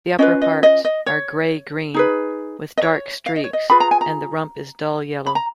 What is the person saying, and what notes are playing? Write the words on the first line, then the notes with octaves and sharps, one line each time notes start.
The upperparts are grey-green with dark streaks and the rump is dull yellow.
C#4 F4 B4 D#5
D#5
D#5
D#5
C#5
D#4 G#4 B4
D#5
C#5
F5
D#5
C#5
D#5
F4 G#4 B4 B5
A#5
G#5
A#5
B5
A#5